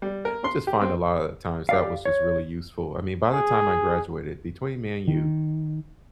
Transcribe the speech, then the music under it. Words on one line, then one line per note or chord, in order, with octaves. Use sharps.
I just find a lot of times that was just really useful, I mean, by the time I graduated, between me and you,
G3
A#4
C6
G4
C4
G4 D5 F5
C#5
G#4
D#3